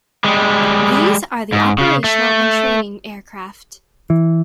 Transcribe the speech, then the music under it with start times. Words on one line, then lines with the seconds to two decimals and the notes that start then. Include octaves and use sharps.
These are the operational and training aircraft.
0.24 G3 G#3
1.53 G#2
1.78 C#3
2.04 A3
4.10 E3